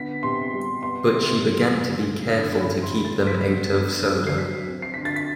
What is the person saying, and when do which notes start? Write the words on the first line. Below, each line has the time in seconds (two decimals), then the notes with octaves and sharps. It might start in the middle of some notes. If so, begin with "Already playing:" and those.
But she began to be careful to keep them out of soda.
Already playing: D3 B3 B6
0.23 C3 C6
0.53 G3
0.83 B3 C6
1.13 C3
1.42 F#3
1.72 A3
2.01 F#2
2.30 D3
2.60 C4 B5
2.82 C6
2.90 C3
3.05 A6
3.19 F#3
3.27 B6
3.50 B3
3.79 D4
4.08 G3
4.27 C7
4.38 F#3 B6
4.68 C4
4.82 C7
4.94 D3 B6
5.05 A6
5.16 B6